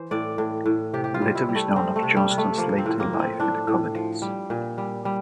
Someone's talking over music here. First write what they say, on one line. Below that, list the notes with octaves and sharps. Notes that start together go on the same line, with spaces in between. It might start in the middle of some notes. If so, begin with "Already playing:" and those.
Little is known of Johnston's later life in the colonies.
Already playing: E3 C5
A2 D5
A2
A2
C3 G4
G4
F4
G3
E4
G3
A3
G3 C4
A3
C3
G3
C3
A3
F3 A#3
C4
A2
A#3
A2
C4
A2 D4
A2
F3
G3
A#2
G3
G3